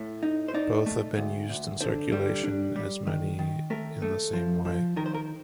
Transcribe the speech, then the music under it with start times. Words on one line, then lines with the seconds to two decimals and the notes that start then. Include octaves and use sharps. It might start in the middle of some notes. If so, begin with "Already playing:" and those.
Both have been used in circulation as money in the same way.
Already playing: A2
0.23 D#4
0.48 C5
0.54 D#4 D5
0.86 A3
1.17 D2
1.49 D2
1.81 D3 C5
2.12 G3 C5
2.44 D4
2.76 G3
3.07 D#3
3.39 D#3
3.70 A3 A#4
4.02 A3
4.33 F3
4.65 F3
4.96 D#3 A#4
5.06 C5
5.15 A#4